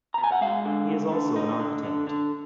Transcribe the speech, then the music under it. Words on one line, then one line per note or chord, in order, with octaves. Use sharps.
He is also an architect.
B2 A#5
G#5
F#5
G#3 F5
D3
D2
D3
D#4
D3
D3
D3